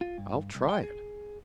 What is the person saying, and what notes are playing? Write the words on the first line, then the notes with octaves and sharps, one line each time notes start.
I'll try it.
F4
G2
C2
G5
G#4